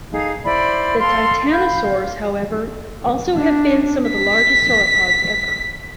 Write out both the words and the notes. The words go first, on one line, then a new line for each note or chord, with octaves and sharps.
The titanosaurs, however, have also been some of the largest sauropods ever.
D#4 G#4 A4 F5
E4 C5 D5 B5
A4 F5 C6
F5 B5 G6
F5
D4
B6